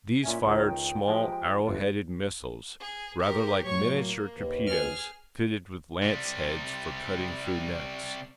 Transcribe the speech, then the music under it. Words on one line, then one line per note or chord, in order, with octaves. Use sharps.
These fired small arrow-headed missiles, rather like miniature torpedoes fitted with lance-heads for cutting through nets.
A#2 C#4 E5 G#5
C#2 D#3 D#4 C#5
G5
F3 G#3 G4
G1 F4 B4
G#4
G4 A#4
A2 F#3 C#5 C#6
A#3
D#2 B4
G#4 F6
C3 G3